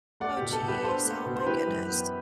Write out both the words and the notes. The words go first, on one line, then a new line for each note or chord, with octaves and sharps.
Oh, jeez. Oh my goodness.
A3 D5 F#5
B2 G4
A4
B2
G4 B4
D4 A4 C5
A3
B2
C5
E3 G4 B4
F#2
B3